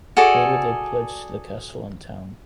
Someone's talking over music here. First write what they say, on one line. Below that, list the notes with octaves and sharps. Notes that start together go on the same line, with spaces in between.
Later, they pledged the castle and town.
F#4 G#4 A4 D5